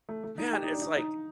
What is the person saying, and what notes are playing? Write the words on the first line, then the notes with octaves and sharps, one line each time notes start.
man, it's like
A3
A3
D#4
G4
D#4
D4
D#4
D#4